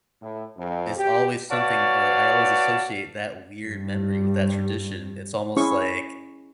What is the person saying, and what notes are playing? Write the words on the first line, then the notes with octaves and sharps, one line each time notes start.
is always something or I always associate that weird memory with that tradition, it's almost like
A2
F2
G4
F#4 B4 C#5 D5 F5 A5
G2 G3
C#4 E4 G#4 C#6